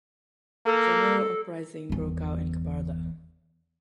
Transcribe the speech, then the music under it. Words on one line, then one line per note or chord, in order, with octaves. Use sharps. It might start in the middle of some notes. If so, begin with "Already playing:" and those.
A general uprising broke out in Kabarda.
A#3 A4
G1 E2